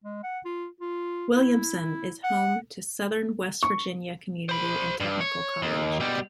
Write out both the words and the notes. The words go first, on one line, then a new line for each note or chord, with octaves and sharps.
Williamson is home to Southern West Virginia Community and Technical College.
G#3
F#5
F4
F4
E4
F#5
C#6
C5 B5
G2
C#5
D#2
B2 G3